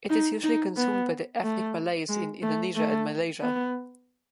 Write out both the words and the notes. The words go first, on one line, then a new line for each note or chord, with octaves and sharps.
It is usually consumed by the ethnic Malays in Indonesia and Malaysia.
D#4
D#4
B3
A3
G#3
A3
A3
B3